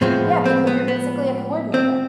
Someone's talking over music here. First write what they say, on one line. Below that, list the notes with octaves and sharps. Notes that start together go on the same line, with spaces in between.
Yeah, because you're basically a coordinator.
A2 F3 G#3 B3 C4
C4
B3
B3
C4